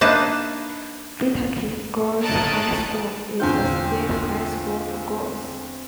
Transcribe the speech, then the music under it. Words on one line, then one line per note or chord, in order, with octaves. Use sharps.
Waitaki Girls' High School is a state high school for girls.
A#3 D4 D#4 B4 E5 A5
A3 D#4 C#5 A5 F#6 D7
E2 D3 C4 F4 G6